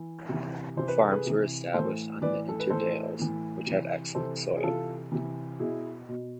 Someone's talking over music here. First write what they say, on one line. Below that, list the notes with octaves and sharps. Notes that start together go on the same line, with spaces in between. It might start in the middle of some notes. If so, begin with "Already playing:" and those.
Farms were established on the intervales, which had excellent soil.
Already playing: E3
C3 E3
C3 E3 C5
B4
A4
G#4 B4
C3 E3
A2 E3 A4 C5
A2 E3 B4 D5
A4
B4
A2 E3 A4 C5
A2 E3
C3 E3
C3 E3 A4 C5
G#4
C3 E3 F4 A4
C3 E3
B2 E4 G#4
B2